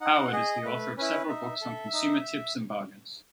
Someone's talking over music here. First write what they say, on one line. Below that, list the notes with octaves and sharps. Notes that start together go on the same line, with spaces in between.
Howard is the author of several books on consumer tips and bargains.
D#4 F#5
G#4 D#5
A3 B4
C#4 E4 B4
D#4 E5
A4
D#4